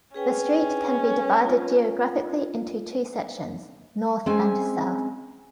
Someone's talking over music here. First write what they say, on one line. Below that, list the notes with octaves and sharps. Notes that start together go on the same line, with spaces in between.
The street can be divided geographically into two sections, North and South.
C#4 G#4 B4 G5
F4
G#3 C4 C#4 G#5